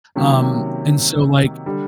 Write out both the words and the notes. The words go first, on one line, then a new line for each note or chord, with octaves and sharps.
Um, and so, like
C3 D#3 F#3 A#3 C#4
D3 G3